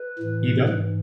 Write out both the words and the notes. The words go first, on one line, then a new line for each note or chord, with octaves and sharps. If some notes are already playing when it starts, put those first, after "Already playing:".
You don't
Already playing: B4
A2 E3
G#2 E3